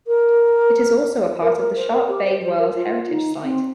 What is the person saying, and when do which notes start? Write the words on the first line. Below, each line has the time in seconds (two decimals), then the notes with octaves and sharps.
It is also a part of the Shark Bay World Heritage Site.
0.07 A#4
1.42 A#4
1.58 A#4
1.76 C5
1.92 A#4
2.08 G4
2.25 C5
2.42 C5
2.58 A#4
2.75 F4
3.09 D#4
3.43 C4